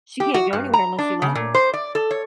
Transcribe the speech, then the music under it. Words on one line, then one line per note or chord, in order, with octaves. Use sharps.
she can't go anywhere unless you let her.
G4
F#4
G2
A#5
D4
C#3
A#2
C5
D5
A4
C#5